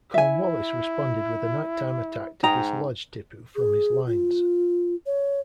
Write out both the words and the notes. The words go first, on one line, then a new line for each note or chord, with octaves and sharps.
Cornwallis responded with a night-time attack to dislodge Tipu from his lines.
E4 E5 G#5
G#2 D#4 G5 A#5
G#4
F4
C#5